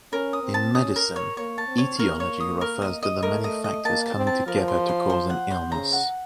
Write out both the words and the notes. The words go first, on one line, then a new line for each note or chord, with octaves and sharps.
In medicine, etiology refers to the many factors coming together to cause an illness.
C#4 A#4
D#6
C4
A5
C#4 D#6
A#4
C#5
A#3 C#5
A5
C4
C#5
A#3 A#4
C#5
D#6
A#4
D#5
D#5
A3 A#4
D#5
D#5
A#3 A5
A5
C4
A5
F3 A#4
C6
C6
C5
F#5
C5
C#3 A#5
F#5